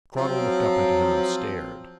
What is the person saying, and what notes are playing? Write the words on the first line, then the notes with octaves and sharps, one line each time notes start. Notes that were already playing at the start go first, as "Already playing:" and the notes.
Cradell looked up at him and stared.
F3 F#3 C4